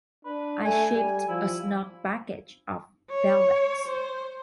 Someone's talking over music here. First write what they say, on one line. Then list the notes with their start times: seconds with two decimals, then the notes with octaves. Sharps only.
I shipped a snug package of velvets.
0.25 D4 B4
0.65 A3 G#5
0.94 G3 G#5
1.28 F3 E4
3.10 C#5
3.87 C5